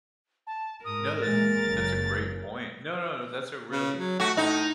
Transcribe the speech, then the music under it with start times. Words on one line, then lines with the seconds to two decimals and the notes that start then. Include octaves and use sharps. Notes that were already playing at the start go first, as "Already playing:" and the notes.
No, that's that's a great point. No, no, no, that's a really
0.47 A5
0.85 G#2 A#4 D#6
1.22 A#2 E3 G#3 A6
1.67 F#1 C#3
3.71 C#3
3.97 F#3
4.20 A3 F#4
4.37 A2 D#4